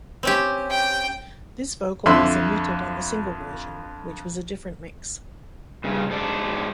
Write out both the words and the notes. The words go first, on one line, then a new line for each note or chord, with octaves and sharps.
This vocal was omitted on the single version, which was a different mix.
C4 C#4 G4
G5
F2 D3 E5 B5 C6 E6
G2 C#3
G#2 A4 D5